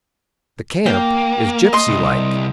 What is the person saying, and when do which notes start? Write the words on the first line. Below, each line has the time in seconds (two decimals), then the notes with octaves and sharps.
The camp is gypsy-like.
0.86 A#3 G5
1.73 D#5 C6
1.87 C2